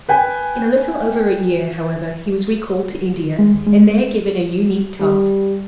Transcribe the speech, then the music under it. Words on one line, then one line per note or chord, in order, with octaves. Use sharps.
In a little over a year, however, he was recalled to India, and there given a unique task.
B4 G5 G#5
G#3
D#2
G#3
G3